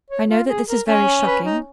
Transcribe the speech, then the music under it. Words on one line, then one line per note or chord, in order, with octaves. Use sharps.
I know that this is very shocking.
C#5
F4
G#4
A#4
C#4 C#5
B4
D#4